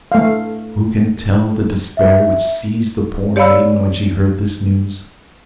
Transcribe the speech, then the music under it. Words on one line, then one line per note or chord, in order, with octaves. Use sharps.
Who can tell the despair which seized the poor maiden when she heard this news!
A3 F5
E5
G4 C#5 D5 F5 B5 E6